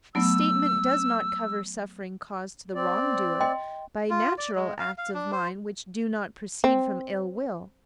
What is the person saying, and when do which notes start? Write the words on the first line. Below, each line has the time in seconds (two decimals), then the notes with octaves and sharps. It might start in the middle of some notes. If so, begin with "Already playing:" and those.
This statement does not cover suffering caused to the wrong-doer by natural acts of mine which do not proceed from ill-will.
0.15 F#3 A3 B3 E6
2.75 C4 D5
3.41 D#5 G5 C6
4.10 F4
4.38 D5
4.56 G#3
4.79 F5
4.98 F5
5.14 D4
5.32 C5
6.64 C4